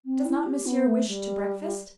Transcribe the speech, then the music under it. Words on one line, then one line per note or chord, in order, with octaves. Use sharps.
"Does not Monsieur wish to breakfast?"
C4
E4
G4
B3
A3
G3